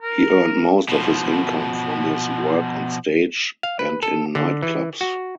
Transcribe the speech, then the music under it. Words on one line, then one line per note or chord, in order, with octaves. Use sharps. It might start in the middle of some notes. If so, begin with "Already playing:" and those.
He earned most of his income from his work on stage and in nightclubs.
A#4
B2 F3
F5
B4
A4
D3
E3
F#4